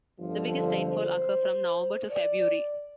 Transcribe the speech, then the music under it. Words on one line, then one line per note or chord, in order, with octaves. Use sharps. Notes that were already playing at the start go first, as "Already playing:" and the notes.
The biggest rainfall occur from November to February.
G1 F2 D3 F3
C5
D5